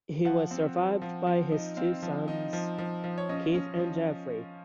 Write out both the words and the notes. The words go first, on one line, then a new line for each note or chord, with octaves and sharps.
He was survived by his two sons, Keith and Jeffrey.
F3 F#5
C4
F3
F3
F3
D#4
C4 F5
F3
D#4
F3
F3
F3
C#5
C#4 D#5
C#4
F3